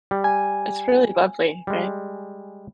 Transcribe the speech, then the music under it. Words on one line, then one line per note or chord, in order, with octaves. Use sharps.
It's really lovely, right?
G3
G#5
G3 G#3